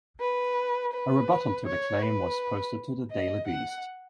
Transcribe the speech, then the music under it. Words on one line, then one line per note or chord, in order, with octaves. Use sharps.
A rebuttal to the claim was posted to The Daily Beast.
B4
B4
C#5
B4
D#5
F#5